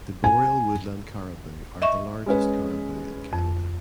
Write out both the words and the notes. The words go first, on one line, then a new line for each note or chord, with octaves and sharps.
The boreal woodland caribou are the largest caribou in Canada.
G#5
D#5 E5 C#6
G#3 C#4 B4
F2